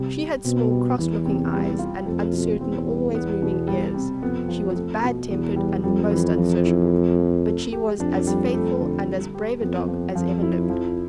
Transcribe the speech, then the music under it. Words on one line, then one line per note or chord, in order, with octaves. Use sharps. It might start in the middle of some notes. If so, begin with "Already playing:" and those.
She had small cross-looking eyes and uncertain always-moving ears; she was bad tempered and most unsociable; but she was as faithful and as brave a dog as ever lived.
Already playing: C3 G3
G4
B2 C4
G3
E2 E3
C3
G3
F4
F2 A3
B2
E2 C4
G3
B3
B2
G3
C3
F2 B3
F3
A3
B2
E2 B3
G3
F2 G3
E3
F3
E4
A3
F3
A3
G4
F2 D4
G3
A3
D3
G3
G4
F2 B3
F3
F2 F3
E4
F3